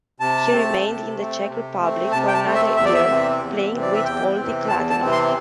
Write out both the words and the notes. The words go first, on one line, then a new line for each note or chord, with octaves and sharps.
He remained in the Czech Republic for another year, playing with Poldi Kladno.
C3 A5
A3 C4
C3
A3 C4
C3
A3 C4
C3 A5
G5
A5
A3 C4
E5
E2 E5
D5
E5
C3 E3 C4
E2
C3 E3 C4
D5
E5
E2 G5
C3 E3 C4
E2 A5
A5
C3 E3 C4
C6